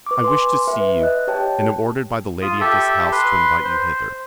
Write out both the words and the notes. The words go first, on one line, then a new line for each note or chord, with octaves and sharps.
I wish to see you, and am ordered by the lady of this house to invite you hither.
B4 C#6 D6
G#5 C6
B4 E5
D#5 F#6
G4 C#5 G5 A5
F4 D#6
G4 A4 E5
B4 C6
C5